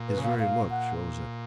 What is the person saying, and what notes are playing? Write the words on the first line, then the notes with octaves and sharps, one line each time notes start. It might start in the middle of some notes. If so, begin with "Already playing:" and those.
His very look shows it.
Already playing: A#2
B4
C#3
B2 F5
A#2 F5
F#5